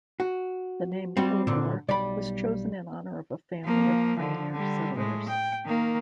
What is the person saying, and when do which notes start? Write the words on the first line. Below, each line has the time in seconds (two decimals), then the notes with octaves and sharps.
The name Kilgore was chosen in honor of a family of pioneer settlers.
0.20 F#4
1.17 G3 C4 F4 F#4
1.47 A#2 D3
1.89 B1 G3 D5 B5
3.64 F3 A#3
4.17 D3 F3
4.52 D3 G3
4.97 A2 G#3
5.28 G5
5.64 D#3 A#3